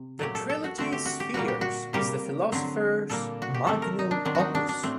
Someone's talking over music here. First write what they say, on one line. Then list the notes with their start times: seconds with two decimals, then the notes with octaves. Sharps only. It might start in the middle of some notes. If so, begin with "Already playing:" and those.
The trilogy "Spheres" is the philosopher's magnum opus.
Already playing: C3
0.19 A#2 F#3 A3 G4
0.35 A4
0.49 A4
0.64 F#4
0.78 D3 A3 C4 F#4
0.92 G4
1.06 F#4
1.20 G4
1.34 A#2 G3 A#3 F#4
1.48 G4
1.61 F#4
1.93 C3 G3 A#3 G4
2.52 D3 F#3 C4
3.10 A#2 G3 A#3 A4
3.42 F#4
3.54 G4
3.67 C3 D#3 A3 A4
3.82 A#4
3.99 D#4
4.11 D4
4.25 D#3 F#3 C4 D4
4.35 D#4 F#4
4.55 D4
4.69 D4
4.83 A2 A3 C4